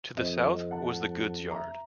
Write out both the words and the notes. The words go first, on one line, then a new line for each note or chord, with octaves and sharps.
To the south was the goods yard.
F2 C4 D#5
F#5 A5
E5 A#5